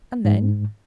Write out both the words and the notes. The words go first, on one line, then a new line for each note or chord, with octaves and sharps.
"And then?"
G#2